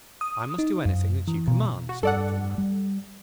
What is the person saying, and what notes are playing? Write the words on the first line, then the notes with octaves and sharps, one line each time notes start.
'I must do anything that you command,' said the Little Man.
D#6
D#4
F#2
E3
B2
F#4
G2 A4 D5 F#5
G3